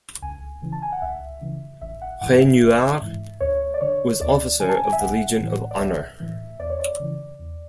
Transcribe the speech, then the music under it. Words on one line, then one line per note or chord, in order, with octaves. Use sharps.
Raynouard was Officer of the Legion of Honour.
C#2 G#5
C#3 E3
A5
G#5
F#5
C#2 E5
C#3 E3
A1 E5
F#5
G#2 E3 F#5
E5
A1
G#2 E3
D2 C#5
D5
D3 C#5
D2 D5
D3 G#5
A5
G#5
E5
B1 F#5
A2 E3
D5
B1 E5
A2 E3
E2 D5
C#5
D5
C#3 E3
E2